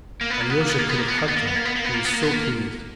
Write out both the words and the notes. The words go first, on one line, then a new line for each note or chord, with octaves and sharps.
Alyosha could have hugged him, he was so pleased.
A#3
B3
A#3
B3
A#3
B3
A#3
B3
A#3
B3
A#3
B3
A#3
B3
A#3
B3
A#3
B3
A#3
B3
A#3
B3
A#3